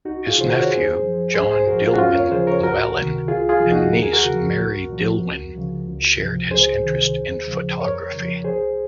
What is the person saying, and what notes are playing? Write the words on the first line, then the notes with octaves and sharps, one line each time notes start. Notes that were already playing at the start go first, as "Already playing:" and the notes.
His nephew John Dillwyn Llewelyn and niece Mary Dillwyn shared his interest in photography.
C2 D#4 F#4
F4 G#4
C3 D#3 C5
F#4 A#4
C#5
F#2 G#4 C5
F3
C2 G#4 C5
G#4 C5
A#2 F3 F#4 A#4
F4 G#4
F#4
D#2 C#4 F4
A#4 C#5
C#3 F3 G#4 C5
A#4 C#5
C#2 F#4 A#4
C3 D#3
C2 F4 G#4
F4 G#4
C3 F3
D#4 F#4
D#2 A#4
G#4
F#4 A#4
C#3 F3
C2
A#2 F3
C#2
C#3 F3
C#2
C3 F3
C#2 G#4 C5
C3 D#3
D#2
C#3 F3
F2 A#4 C#5
C#3 F3
C2 G#4 C5